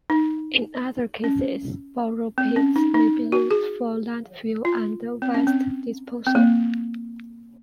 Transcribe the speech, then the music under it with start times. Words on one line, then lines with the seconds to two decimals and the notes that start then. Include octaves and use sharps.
In other cases, borrow pits may be used for landfill and waste disposal.
0.10 D#4
1.24 C#4
2.38 C4
2.56 C#4
2.76 D#4
2.94 D#4
3.32 F#4
3.51 G#4
4.65 F4
5.22 C4
5.34 C#4
5.47 C4
6.27 C4
6.35 A#3